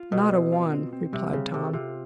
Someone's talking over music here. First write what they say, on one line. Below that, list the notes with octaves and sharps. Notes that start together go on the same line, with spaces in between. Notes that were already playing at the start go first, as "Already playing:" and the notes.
"Not a one," replied Tom.
Already playing: F4
B2 A4
C4
F4
C4
C4
C3 G3
C#3 C4
C3 A4
C3 F4